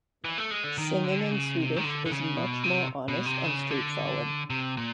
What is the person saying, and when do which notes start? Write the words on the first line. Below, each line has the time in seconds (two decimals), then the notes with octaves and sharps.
Singing in Swedish is much more honest and straightforward.
0.24 E3
0.38 A3
0.51 G#3
0.64 D3
0.78 D#3
1.04 D3
1.31 C#3
1.57 C3
1.76 D#3
1.84 D3
2.06 D3
2.11 C#3
2.37 B2
2.64 C3
3.08 B2
3.26 C3
3.44 C#3
3.71 D3
4.50 C3
4.77 A#2